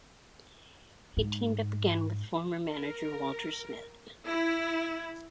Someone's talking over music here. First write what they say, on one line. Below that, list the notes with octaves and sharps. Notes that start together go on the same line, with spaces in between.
He teamed up again with former manager Walter Smith.
G#2
A#4
E4